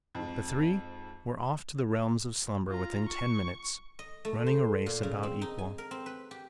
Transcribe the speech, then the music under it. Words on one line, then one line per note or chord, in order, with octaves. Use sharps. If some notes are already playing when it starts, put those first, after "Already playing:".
The three were off to the realms of slumber within ten minutes, running a race about equal.
F2 G#2
F4 A#5
C#6
D#5
A3
C5
A#2
C#3
C4
D#4
G#5
A#4
C4
B4
G4